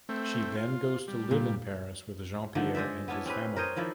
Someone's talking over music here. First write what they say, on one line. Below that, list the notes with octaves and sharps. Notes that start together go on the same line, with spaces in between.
She then goes to live in Paris with Jean-Pierre and his family.
A3 C4
F4
G3
A#2
D3 D#3 F3 A3
G#3 C5 D5 E5
B3 C#4 D4 E4
C4 C#4 G4 B4
A#4 C5 C#5 D#5
D#3 F3 E4 D5